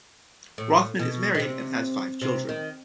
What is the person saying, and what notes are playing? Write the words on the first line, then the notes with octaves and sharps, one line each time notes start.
Rothman is married and has five children.
A2
B2
D#3
C3
C3
D#3